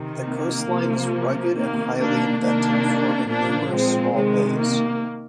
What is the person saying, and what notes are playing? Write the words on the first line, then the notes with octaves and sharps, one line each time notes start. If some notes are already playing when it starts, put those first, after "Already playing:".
The coastline is rugged and highly indented, forming numerous small bays.
Already playing: C3 D#3
A#3
C3 F3
C3 D#3 A#3
A#3 D4
C3 D#3 A#3 D4
A#2 F3 A#3 D4
G#3 C4
C3 D#3 G#3
A#3